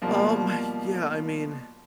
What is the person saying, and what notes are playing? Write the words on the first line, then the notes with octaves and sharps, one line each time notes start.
Um, yeah. I mean,
B2 F3 G3 A#3